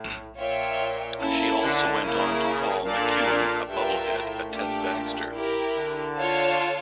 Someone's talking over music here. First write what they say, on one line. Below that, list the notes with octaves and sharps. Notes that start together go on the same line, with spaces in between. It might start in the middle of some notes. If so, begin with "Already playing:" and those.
She also went on to call McKeown a bubble-head, a Ted Baxter.
Already playing: A2
A#2 F4 C#5 E5 G5
A#3 C#4 E4 A4
D3
C#3 A#3 E4 A#4
A#2 D4 A4 D5 F5 A5
G2 F4 A#4 E5 G5
A2
A#2 A3 D4 G4
E4 G4 A#4
D3
F4 C#5 F5 A5